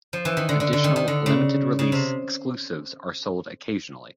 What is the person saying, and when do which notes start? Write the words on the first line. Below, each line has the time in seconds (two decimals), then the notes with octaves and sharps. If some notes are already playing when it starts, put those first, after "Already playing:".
Additional limited-release exclusives are sold occasionally.
0.13 F3
0.25 E3
0.37 D#3
0.49 D3
0.60 D3
0.73 D3
0.84 D#3
0.96 D#3
1.08 D3
1.26 C#3
1.79 C#3
1.92 C3